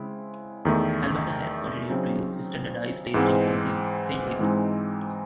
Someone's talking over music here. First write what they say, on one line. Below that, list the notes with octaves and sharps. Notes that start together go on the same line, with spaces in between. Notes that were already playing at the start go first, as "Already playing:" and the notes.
Alberta has continued to use standardized testing for these same reasons.
Already playing: C#3 G#3 C4 E4
E2 D#3 A3
C#3 F#3 C4 D#4
G#2 E3 G#3 C4
G#2 E3 G#3 C4 D#4